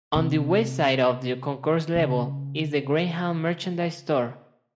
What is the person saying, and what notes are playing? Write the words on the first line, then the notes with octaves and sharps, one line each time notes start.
On the west side of the concourse level is the Greyhound merchandise store.
C3
C#3